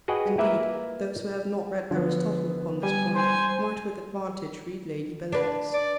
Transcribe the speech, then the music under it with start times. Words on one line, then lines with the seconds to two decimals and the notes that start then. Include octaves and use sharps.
Indeed, those who have not read Aristotle upon this point might with advantage read Lady Bellairs.
0.08 F#4 G#4 B4 D#5 G5
0.38 A#3 E4 A#4 B4 E5
1.91 D3 F3 B3
2.83 G3 G#5
3.15 C5 G#5
5.32 D4 B4
5.74 D5